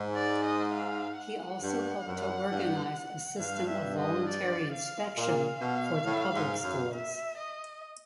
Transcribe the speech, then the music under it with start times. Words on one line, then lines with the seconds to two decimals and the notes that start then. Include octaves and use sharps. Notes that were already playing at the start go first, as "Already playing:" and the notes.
He also helped to organise a system of voluntary inspection for the public schools.
Already playing: G#2
0.15 D5
0.45 D#5
0.74 F5
1.18 F#5
1.62 G2
2.07 F#2
2.51 G2
3.39 G2 F5
3.69 E5
3.98 D#5
4.28 D5
4.72 F5
5.16 A#2 F5
5.60 B2
6.05 A2
6.35 G#2
6.63 F#2
6.94 E5
7.38 D#5